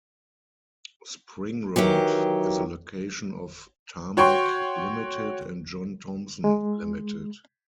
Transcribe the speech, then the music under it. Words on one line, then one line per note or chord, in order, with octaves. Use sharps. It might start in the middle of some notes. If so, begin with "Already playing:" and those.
Spring Road is the location of Tarmac Limited and John Thompson Limited.
D#3 E3 F#3 G4
F#4 C#5 G5 C6 C#6
G#3